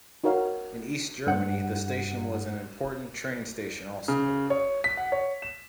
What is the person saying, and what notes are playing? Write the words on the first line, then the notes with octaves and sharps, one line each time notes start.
In East Germany the station was an important train station also.
D#4 F#4 A#4 C#5 F5
G2 F#5
C#3
C#5
B6
F#5
C#5
E7